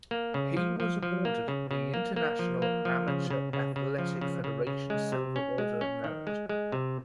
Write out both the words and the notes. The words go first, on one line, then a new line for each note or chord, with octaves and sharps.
He was awarded the International Amateur Athletic Federation Silver Order of Merit.
A#3
C#3
F3
F3
F3
A#3
C#3
C#3
A#3
A#3
F3
A#3
F3
C#3
C#3
C#3
C#3
F3
C#3
C#3
C#3
G#3
C3
C#4
G#3
C#4
D#3
G#3
G#3
C3